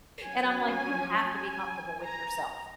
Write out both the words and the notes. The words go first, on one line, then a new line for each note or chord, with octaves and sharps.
and I'm, like, you have to be comfortable with yourself
F#3 C#4 G#5
G#5
G#5
A#5